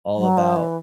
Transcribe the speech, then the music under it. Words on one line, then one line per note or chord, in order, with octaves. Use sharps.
all about
F#3
F3
E3